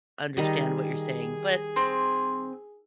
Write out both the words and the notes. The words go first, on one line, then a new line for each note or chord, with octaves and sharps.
understand what you're saying, but
D#3 G3 G#4 D#5
C4